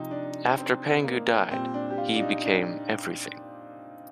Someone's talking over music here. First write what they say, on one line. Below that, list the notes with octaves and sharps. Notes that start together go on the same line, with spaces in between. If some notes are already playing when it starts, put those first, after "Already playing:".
After Pangu died, he became everything.
Already playing: C3 F3 D#4
D4
C4
A#3
A#2 G3 C4
D4
G4
F4
D4
D#4
D4